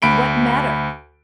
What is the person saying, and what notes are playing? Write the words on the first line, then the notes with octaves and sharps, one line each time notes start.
And what matter?
D2 B5 D7